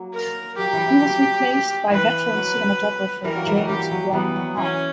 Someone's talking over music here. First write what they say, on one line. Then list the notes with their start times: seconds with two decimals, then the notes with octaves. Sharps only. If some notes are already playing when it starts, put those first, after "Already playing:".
He was replaced by veteran cinematographer, James Wong Howe.
Already playing: F#3 A#3
0.14 A#4
0.57 F#3 A#3 G4
0.73 E3 G3
0.87 E3 G3
1.02 F#3
1.91 E3 B4
2.35 F#3
3.24 E3 G3 A#4
3.35 F#3 A#3
3.46 E3 G3
3.58 F#3
3.68 E3 G3 G4
3.91 F#3
4.13 E3 G3 B3
4.36 F#3
4.57 E3 C#4